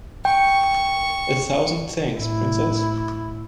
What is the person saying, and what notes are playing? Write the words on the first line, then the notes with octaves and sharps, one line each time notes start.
A thousand thanks, Princess.
G5 C#6
A2 E4